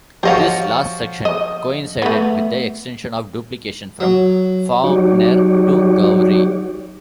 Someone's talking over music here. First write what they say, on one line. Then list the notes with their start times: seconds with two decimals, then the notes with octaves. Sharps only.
This last section coincided with extension of duplication from Fawkner to Gowrie.
0.23 F3 F#4 G4 C#5 D#5 F5
1.25 D#5
2.02 A3 B3
4.00 F#3
4.84 F#3 D#4 F#4 G4 C#5 D5